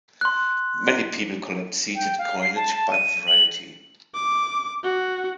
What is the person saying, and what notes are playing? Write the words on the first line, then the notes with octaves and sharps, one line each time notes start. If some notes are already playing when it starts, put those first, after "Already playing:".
Many people collect seated coinage by variety.
C6 F#6
G5
F5
C7
A5
A5
D#7
F#7
D6
F#4